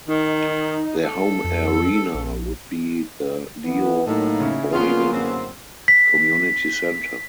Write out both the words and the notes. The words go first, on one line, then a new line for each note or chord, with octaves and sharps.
Their home arena would be the Leo Boivin Community Centre.
D#3 D#4
A4
F2
A#1
E3 B3
A2 F#3 A#3 D#4
C#3 C#4 E4
D3 A#3 B3 C#4 F4 G#4
F#2 A2 C4
B6